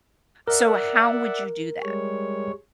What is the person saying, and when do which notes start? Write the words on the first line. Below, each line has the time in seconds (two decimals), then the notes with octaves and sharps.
so how would you do that?
0.48 A#4 D5 E5 F#5
1.82 G3 G#3 C#5